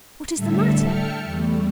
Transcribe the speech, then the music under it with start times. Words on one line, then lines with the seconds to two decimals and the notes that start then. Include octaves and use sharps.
'What is the matter?
0.35 A2 D3 G3 A4 E5
0.79 E5 G5 A5 F6 C#7
1.23 E2 G3 A3